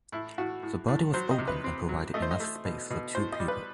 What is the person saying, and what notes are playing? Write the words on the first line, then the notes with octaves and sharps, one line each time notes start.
The body was open and provided enough space for two people.
A2 E4
A2 F#4
A2
A2
F#3 C5
D#5
C3
B4
C4
F#3
A3 D#5
C5
D#5
A3
B2
B2
A2 C5
D#5
G3
B4